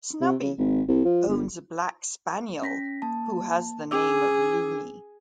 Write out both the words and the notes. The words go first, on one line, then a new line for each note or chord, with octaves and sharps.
Snubby owns a black spaniel, who has the name of Loony.
C3
C#3
G#1
C2
F3
G1
C#4 A#6 B6
A#3 A5
C#4 G#4 D6 E6